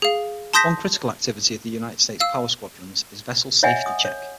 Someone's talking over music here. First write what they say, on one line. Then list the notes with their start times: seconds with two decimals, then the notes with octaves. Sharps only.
One critical activity of the United States Power Squadrons is Vessel Safety Check.
0.02 G#4 F5
0.53 A5 C6 D#6 G6 A#6 B6
2.20 F5 E6
3.63 C#5 D#5 E5 F#5 G#5
3.86 D#6
4.05 C#5